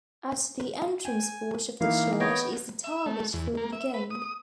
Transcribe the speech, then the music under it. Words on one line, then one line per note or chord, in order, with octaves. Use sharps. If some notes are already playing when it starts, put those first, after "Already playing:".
At the entrance porch of the church is the target for the game.
G5 G#5
E3 A#3 D#4 F5
B3 C#5 D#5 G5
E5
A3
E2
A#3
E5
B4
D#6